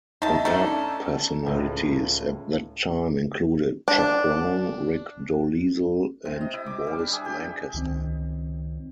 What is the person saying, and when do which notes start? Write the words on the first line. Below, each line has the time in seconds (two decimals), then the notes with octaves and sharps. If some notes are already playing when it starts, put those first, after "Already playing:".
On air personalities at that time included Chuck Brown, Rick Dolezal and Boyce Lancaster.
0.22 D#3 D#4 E5 A5
0.45 A3 C#4 D4 A4 A#5
1.47 C#2 A2
3.88 D4
6.25 C3
6.41 D#5
6.53 E4
6.66 D6
6.87 G3
6.99 D4
7.12 G#4
7.25 G4
7.74 C#2 D#3 C4